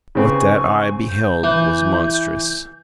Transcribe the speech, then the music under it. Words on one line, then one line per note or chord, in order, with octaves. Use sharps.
What that eye beheld was monstrous.
C#3 C4 B4 G#5 C#6
G6
E3